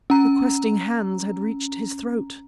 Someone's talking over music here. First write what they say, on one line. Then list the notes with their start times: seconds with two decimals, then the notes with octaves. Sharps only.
The questing hands had reached his throat!
0.10 C#4 A#5